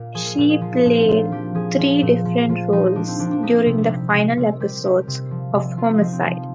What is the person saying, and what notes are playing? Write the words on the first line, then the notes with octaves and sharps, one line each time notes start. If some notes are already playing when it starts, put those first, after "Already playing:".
She played three different roles during the final episodes of "Homicide".
Already playing: A#2 A#4
F3 G#4
A#4
A#2 A#4
G#4
F3 F4
D#4
A#2 D4
C4
A#2 F4
F3 G4
F3 G#4
F3
A#2
F3
F3 F4
F3 D#4
F3 D4
C4
F3 D4
D4
G3 D#4
C3
G3
C3
C3 A#4
G3 C5
G3 A#4
C3
F3
C3
F3 F4
D#4
F3 C4
C4
F3